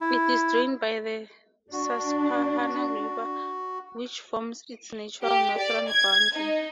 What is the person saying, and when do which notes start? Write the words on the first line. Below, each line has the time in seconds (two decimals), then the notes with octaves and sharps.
It is drained by the Susquehanna River which forms its natural northern boundary.
0.01 E4
1.73 D4 F#4
5.23 G4
5.58 D5
5.89 G#6
6.35 D#4